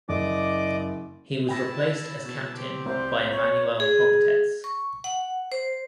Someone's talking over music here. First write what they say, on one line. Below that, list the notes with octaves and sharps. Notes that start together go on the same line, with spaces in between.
He was replaced as captain by Emanuel Pogatetz.
F#1 D5 D#5 D6
E4 G5 A5 B5 A#6
B2
C4 G4
C2 C5
C#5
G#4
C#6
F#5
C5